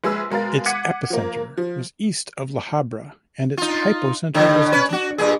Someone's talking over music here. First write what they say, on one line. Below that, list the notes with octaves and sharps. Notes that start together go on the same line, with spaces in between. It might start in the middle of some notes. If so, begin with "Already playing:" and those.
Its epicenter was east of La Habra and its hypocenter was deep.
A#1 G#3 G#4 B4 E6
B2 G#3 A#4 F5 A6
F#5 D6 G#6 B6 C#7 D#7
F3 A#3
F3
D#4 F4
A2 D3
C#4 B4
D4 F#4
G2 A#2 G#4